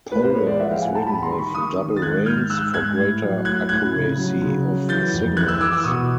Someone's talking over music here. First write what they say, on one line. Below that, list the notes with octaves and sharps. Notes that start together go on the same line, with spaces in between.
Polo is ridden with double reins for greater accuracy of signals.
A2 B4
A#4 C5
G#3 B4 C#5
C5 D5
F3 E5 F#5
F5 G5
A2 F#5 G#5
G5 A5
G3 A5 B5
A#5 C6
D#3
B5 C#6
D#3 C#6 D#6
D#3
A6
G#2 F#6 G#6
G#2 F6 G6
G#2 E6 F#6
G#2 F#6 G#6
A2
F#3
A2 F#6 G#6
A2 F#6 G#6
C#3
F#3
C#3
F#3
E3 G6 A6
F2
E3 F#6 G#6
E6 F#6
E3 D6 E6
D6 E6
B2 C#6 D#6